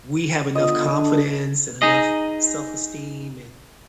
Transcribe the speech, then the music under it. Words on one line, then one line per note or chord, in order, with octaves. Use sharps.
we have enough confidence, and enough self-esteem, and
D3 B3 F4 D#5
D3 D4
D#4 G#4 D#5